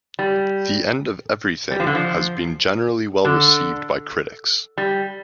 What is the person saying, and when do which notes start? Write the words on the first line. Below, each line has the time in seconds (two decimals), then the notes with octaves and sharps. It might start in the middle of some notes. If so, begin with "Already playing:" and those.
"The End of Everything" has been generally well received by critics.
0.19 G3
1.71 G3
1.80 F3
1.87 D3
1.95 F3
3.25 D3
4.78 G3